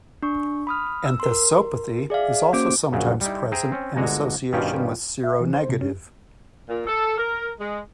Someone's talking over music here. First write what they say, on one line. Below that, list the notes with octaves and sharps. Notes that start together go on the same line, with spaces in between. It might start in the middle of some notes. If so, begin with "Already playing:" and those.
Enthesopathy is also sometimes present in association with seronegative.
D4 C#6
B5 D#6 F6
E6
A#4 C6
G#4 D5 E5 F5
A#3 C#4 F#4 C5 D6 D7
A#1 F#2 C#3 F#3
G3 D#4 E4
G#4 C5 E5 G5 G#5 A#5
C4 C#4
G1 D3 G#3 F#4 G#5 A#5
G2 B2 D#3 C#4 F4 G4
E5
E3
C5
C3
C#4
A#2
A4
A#4
G#3